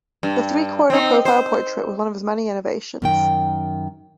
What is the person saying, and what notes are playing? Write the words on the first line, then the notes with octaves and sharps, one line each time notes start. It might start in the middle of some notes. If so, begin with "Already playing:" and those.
The three-quarter profile portrait was one of his many innovations.
G2
C4 D#4
C5
F#2 D#3 G5